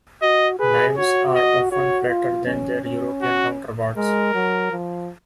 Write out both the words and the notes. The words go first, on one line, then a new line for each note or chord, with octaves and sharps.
Knives are often flatter than their European counterparts.
F#4 D#5
G#4 B4
F#4 C#5
D#5
F#4 C#5
F4
C#4
C#4
F#4
G#3 A#4
F#3
F3